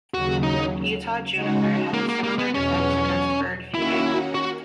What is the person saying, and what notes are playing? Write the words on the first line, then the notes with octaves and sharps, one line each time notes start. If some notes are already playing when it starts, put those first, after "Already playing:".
Utah juniper has a similar defense against bird feeding.
D#2 C#3 F#3 F#4
D#4
C#3 G#3 D#4 F#4
A#3
A#3
A#3
B3
E2 B2 F#3 C#4
D#3 A#3 C#4 E4 F#4
F#4